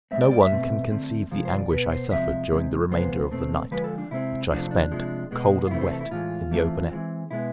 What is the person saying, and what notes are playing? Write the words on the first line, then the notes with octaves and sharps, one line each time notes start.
No one can conceive the anguish I suffered during the remainder of the night, which I spent, cold and wet, in the open air.
A2 G#3 C4 E5
D5
D5
E5
B2 A3 C4
D3 A3 C4
C3 F3 G#3
C5
D5
B2 B3 B4
C5
C3 F3 G#3 C4 E5
C3 G#3 C4
C3 F3 G#3 B3 C5
B2 A3 C4
D3 F3 G#3 B4
A4
D4
C3 G#3 C4 E4
C3 F3 A3 C4 D4
D4
C3 F3 G#3
B2 G#3 B3
F4
C3 E3 A3 C4 E4
C5
A4
E4
A2 E3 G#3 F4
E3 A3 C4
E3 G#3 C4
B2 G#3 B3 E4